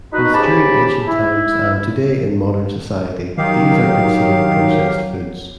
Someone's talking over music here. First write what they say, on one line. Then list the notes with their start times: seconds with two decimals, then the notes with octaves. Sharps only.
Both during ancient times and today in modern society these are considered processed foods.
0.13 D#4 F#4 B4
0.34 G#2 C#3 G4 A5 B5 D6
1.07 E4
3.38 D#3 F#3 G4 F5